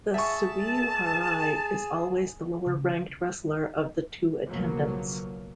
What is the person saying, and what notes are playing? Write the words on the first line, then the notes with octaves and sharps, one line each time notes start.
The "tsuyuharai" is always the lower ranked wrestler of the two attendants.
G#4 E5 A5 C#6
C#3
B1 C#3 F3 F#3 A#3